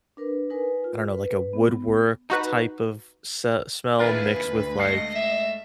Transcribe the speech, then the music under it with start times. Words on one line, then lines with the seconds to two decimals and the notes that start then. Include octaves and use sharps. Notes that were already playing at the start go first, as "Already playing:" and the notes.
I don't know, like a woodwork type of sa smell mixed with, like,
0.17 D4 A#4 B4
0.50 D#4 A#4 B4 G#5
0.84 F4
1.10 B4
1.53 B3
2.30 D#4 F#4 B4
3.99 D#2 A#3 D4 E4 F4 G#4 B4
4.48 D2
4.79 G#3 A3 D#5 F5 A#6
5.15 E5